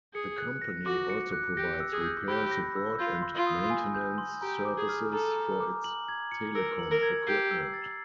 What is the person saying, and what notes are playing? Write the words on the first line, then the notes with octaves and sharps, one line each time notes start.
The company also provides repair, support, and maintenance services for its telecom equipment.
G#4 C#7
F#6
A#6
F#4 D6
C#7
F#6
G4 A#6
E6
G#4
G6
G4 B5
A#6
E6
F4 G6
C6
F4
D#6
G#5
G6
C6
G4 A#5
D6
G#4
F6
A4 A#5
A#5
D6
F#7
G#6
C#7
A#4 E6
F#7
A#4
G#6
G4 C7
E6
A6